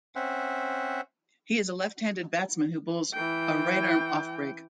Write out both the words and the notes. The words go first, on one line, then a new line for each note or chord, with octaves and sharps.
He is a left-handed batsman who bowls a right-arm off break.
C4 C#4 C5 E5 F#5
E3 G5